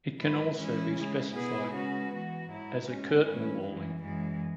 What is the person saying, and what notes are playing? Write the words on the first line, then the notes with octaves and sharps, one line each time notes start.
It can also be specified as a curtain walling.
G#2 F#3 E4 B4
E3 G#3 C#4 E4
C#3 G#3 E4
B2 B3 E4 G#4 B4
C#3 G#3 C#4 F#4 B4
E3 B3 F#4
G#2 F#3 E4
G#2 G#3 C#4
G#2 E3 C#4 E4 B4
F#2 E3 G#3
F#2 E3 G#3